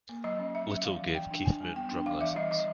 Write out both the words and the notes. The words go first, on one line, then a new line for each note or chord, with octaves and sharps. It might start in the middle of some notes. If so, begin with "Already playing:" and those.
Little gave Keith Moon drum lessons.
A#3
F#3 D#5
C#4
C#4 E5
F#3
E3 F5
E3
E3 G5
D4
E3 G#5
G3
B3 G5
D4
E3 F5
E3 E5
G3 D#5
E3 D#5